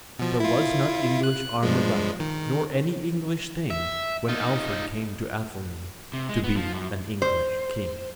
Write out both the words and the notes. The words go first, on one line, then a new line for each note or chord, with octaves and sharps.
There was not English armour left, Nor any English thing, When Alfred came to Athelney To be an English king.
B2 F3
E4 F4
F#6
G2 F3 G#3
D#3
E5
D#4 F4
C3
G#3
B3
F3
F#2
C5